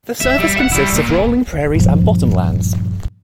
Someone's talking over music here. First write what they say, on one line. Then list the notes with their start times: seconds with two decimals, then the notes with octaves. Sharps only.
The surface consists of rolling prairies and bottom lands.
0.20 E5
0.39 G3
0.56 E5 F#5
0.72 G3 E4
0.96 A#2
1.75 G2 A#2 F3